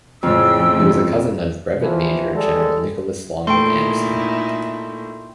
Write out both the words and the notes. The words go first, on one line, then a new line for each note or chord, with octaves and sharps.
He was a cousin of Brevet Major General Nicholas Longworth Anderson.
F2 A2 C#3 F3 E6
E2 E3 F3
G3 G#3 G#4 A4
A#2 A3 D#4 E4 G5 C6